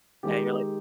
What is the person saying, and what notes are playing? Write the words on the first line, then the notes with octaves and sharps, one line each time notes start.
And you're like
D#3 G#3 D#4 G4